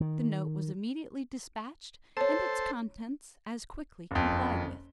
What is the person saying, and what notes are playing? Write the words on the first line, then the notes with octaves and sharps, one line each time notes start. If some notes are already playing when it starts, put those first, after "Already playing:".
The note was immediately dispatched, and its contents as quickly complied with.
D#3
A4 C5 C#5 A5
F#1 F2